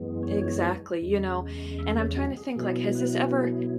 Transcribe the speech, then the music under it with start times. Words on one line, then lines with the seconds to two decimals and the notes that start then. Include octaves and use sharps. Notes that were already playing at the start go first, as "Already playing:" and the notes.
Exactly. You know, and I'm trying to think, like, has this ever
Already playing: F#2 E3 G#3 B3
0.23 C#5
1.01 E2 C#3 G#3
1.78 E5
1.98 C#5
2.17 F#4
2.37 G#4
2.56 B2 F#3 B3 E4 G#4
2.95 B4
3.24 B4
3.33 G#4